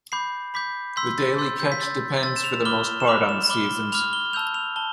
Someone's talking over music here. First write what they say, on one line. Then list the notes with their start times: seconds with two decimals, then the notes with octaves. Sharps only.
The daily catch depends for the most part on the seasons.
0.12 B5 D6 G6 C7
0.54 B5 D6 G6 B6
0.96 C6 E6 G6 B6
1.18 A6
1.38 C6 E6 G6
1.60 G6
1.72 B6
1.81 C6 E6 G6 A6
2.23 C6 E6 G6 A6
2.36 E7
2.44 F7
2.65 B5 D6 F6 G7
3.00 E7
3.07 B5 D6 F6 F7
3.29 E7
3.49 B5 D6 F6 G7
3.92 B5 D6 F6 F7
4.13 G7
4.33 A5 E6 G6 F7
4.54 F7
4.76 A5 G7